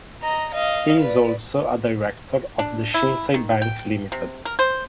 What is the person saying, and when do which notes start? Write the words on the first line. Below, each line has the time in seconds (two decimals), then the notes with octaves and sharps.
He is also a director of The Shinsei Bank Limited.
0.22 D#5 A#5
0.53 D#5 F5
0.99 B4 D5
2.59 D4
2.94 E4
3.34 D#3
3.62 G5
4.12 C3
4.45 A#4
4.59 C5